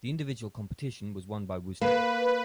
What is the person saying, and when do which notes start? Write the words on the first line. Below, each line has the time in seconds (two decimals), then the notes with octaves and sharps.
The individual competition was won by Woosnam.
1.81 A#3 B4